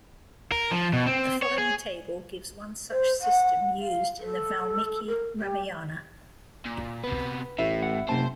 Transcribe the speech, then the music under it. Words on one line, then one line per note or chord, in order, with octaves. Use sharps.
The following table gives one such system used in the Valmiki Ramayana.
A#4
F3
B2
C4
C#5
G#4
C5
F#5
F5
A4
A#4
G4
A#2
C3 B3 B4
A1 A2 E4
F#5
F#1 C3 C5 G5 A5